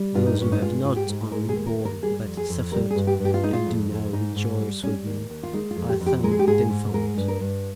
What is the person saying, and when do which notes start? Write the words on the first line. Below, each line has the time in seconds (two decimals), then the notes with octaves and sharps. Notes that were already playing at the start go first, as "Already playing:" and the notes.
Those who have not only borne but suffered, and do now rejoice with me, I thank tenfold.
Already playing: G3
0.14 G2 F4
0.26 D#4
0.38 G2 C#4
0.52 D#4
0.62 G#3 F4
0.85 G#2 F4
0.96 G4
1.09 G#2
1.31 G#3 A#4
1.49 G#4
1.55 D#2
1.66 A#4
1.79 D#2
1.85 A#4
2.02 G3 G#4
2.25 F2
2.37 G#4
2.49 F2
2.72 G3 A#4
2.91 G#4
2.95 G2
3.07 G4
3.19 G2
3.25 G4
3.34 F4
3.43 G#3 D#4
3.53 F4
3.66 F2
3.90 F2
4.13 G#2 D#4
4.36 G#2
4.60 G3
4.83 G3 C#4
5.06 D#2
5.30 D#2
5.43 F4
5.53 G#3 D#4
5.71 F4
5.76 F2
5.89 G4
6.00 F2
6.06 G4
6.23 G#3 A#4
6.31 G#4
6.39 G4
6.47 G#2 G#4
6.70 G#2
6.94 G#3 A#4
7.17 G2
7.28 A#4
7.41 G2